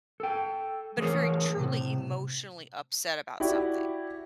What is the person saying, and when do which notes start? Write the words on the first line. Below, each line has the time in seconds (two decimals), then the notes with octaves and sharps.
But if you're truly emotionally upset about something
0.20 A4 G5
0.97 E3 A3 G#4 A#4 C#5
1.56 A2 C3
3.40 E4 F#4 G4 D5